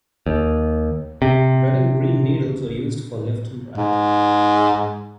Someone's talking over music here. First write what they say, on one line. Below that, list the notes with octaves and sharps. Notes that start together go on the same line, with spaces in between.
Red and green needles are used for left and right.
D#2
C3
G#2